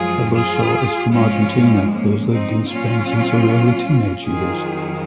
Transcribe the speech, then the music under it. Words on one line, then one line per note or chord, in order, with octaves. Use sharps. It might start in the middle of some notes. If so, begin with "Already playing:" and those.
Peluso is from Argentina but has lived in Spain since her early teenage years.
Already playing: F#2 F3 G#3 F4 G#4
F4 G#4
G#2 F3 G#3 C#4 F4
A#3 C#4
C4 D#4
A#2 F#3 C#4 F4
F2 D#3 F#3 F4 G#4